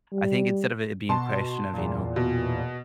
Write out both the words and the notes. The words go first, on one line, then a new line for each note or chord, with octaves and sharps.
I think instead of it being a question of, you know
G3
B2 A5 C6
E2 A#2
B2